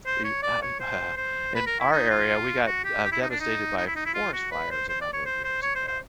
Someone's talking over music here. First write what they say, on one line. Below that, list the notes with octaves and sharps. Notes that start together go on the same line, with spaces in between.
you uh e uh In our area, we got, uh, devastated by f forest fires a number of years ago.
C5
C#5
D5
C#5
C5
C5
B4
A#4
E4
D#4
F4
F#4
G4
G4
E4
D#4
D4
D#4
D#4
E4
D#4
E4
F4
F#4
B4
C5
C5
D5
C#5
C5
C5
C#5
C5
C5